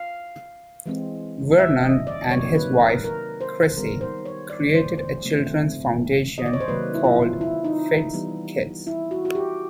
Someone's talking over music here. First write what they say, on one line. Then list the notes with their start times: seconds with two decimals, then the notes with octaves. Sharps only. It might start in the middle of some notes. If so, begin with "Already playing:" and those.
Vernon and his wife, Chrissy, created a childrens foundation called Fidd's Kids.
Already playing: F5
0.86 E3 G#3 C4
1.58 E5
1.82 D#5
2.07 D5
2.31 C3 D#3 F#3 A#3 C#5
2.55 B4
2.80 A#4
3.04 A#4
3.41 C5
3.77 D#3 G3 B3 A#4
4.01 C5
4.25 C#5
4.50 D5
4.74 C5
4.98 C5
5.22 C3 F3 A3 C4
6.38 D#5
6.46 D5
6.53 C#5
6.60 C5
6.68 C3 D#3 F#3 A#3 B4
6.94 E4
7.04 F4
7.41 E4
7.64 D#4
8.14 E3 G3 B3
8.87 E4
9.11 F#4
9.25 F#4
9.35 G4